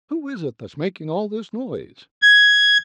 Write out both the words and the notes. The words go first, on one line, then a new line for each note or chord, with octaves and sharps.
"Who is it that's making all this noise?"
G#6